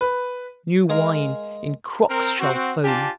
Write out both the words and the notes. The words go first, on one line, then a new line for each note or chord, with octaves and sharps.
New wine, in crocks Shall foam!
B4
G#3 G#4 A#4 F5
C4 A#4
C4 F#4
D4 F4 G4 G#5 A5